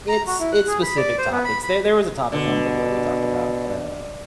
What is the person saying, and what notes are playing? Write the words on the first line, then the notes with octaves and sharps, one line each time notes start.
It's it's specific topics. There there was a topic one day where we talked about, uh,
A#5
F#4
E4
F#6
G#4
B5
D5
C5
B3
B5
B5
B2 D3